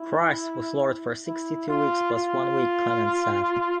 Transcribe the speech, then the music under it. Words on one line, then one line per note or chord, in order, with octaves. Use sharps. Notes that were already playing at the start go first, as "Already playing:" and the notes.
Christ was Lord for sixty-two weeks plus one week, Clement said.
Already playing: E4
E4
F4
F4